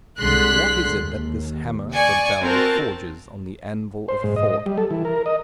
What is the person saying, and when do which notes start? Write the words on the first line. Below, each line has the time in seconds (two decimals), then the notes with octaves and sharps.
What is it that this hammer, the bell, forges on the anvil of thought?
0.20 C2 D3 G#3 C6 F#6 B6
0.91 D#2
1.93 D5 G#5 C#6
2.42 C4 F4 F#4 A#4 A5
4.08 C5
4.24 G#2
4.36 D#5
4.66 G3
4.77 A4
4.91 E3
5.05 A#4
5.26 D#5